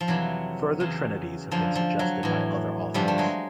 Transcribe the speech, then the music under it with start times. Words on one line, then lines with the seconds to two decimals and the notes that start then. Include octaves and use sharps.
Further trinities have been suggested by other authors.
0.01 F3
0.08 F2 C3 E3 F#3
0.80 E2 C#3 E3
1.51 F#2 D3 F3
1.75 F3
1.99 F#3
2.23 A2 E3
2.94 G2 D3 F3 G3
3.08 A3
3.18 F#3 G#3